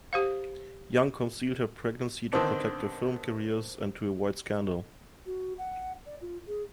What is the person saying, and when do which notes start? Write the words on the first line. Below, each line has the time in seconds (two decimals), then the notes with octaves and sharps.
Young concealed her pregnancy to protect their film careers and to avoid scandal.
0.13 G4 C5 F5
2.33 D3 D#3 B3 C4 D4
5.26 F#4
5.58 F#5
6.06 D5
6.21 F4
6.47 G#4